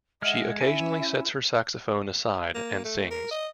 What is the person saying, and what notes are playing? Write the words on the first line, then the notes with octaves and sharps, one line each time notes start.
She occasionally sets her saxophone aside and sings.
G#3 D#5 E5 F#5 F6
C#4 E4 E5 G#5
A#3
A3
A#4
D#5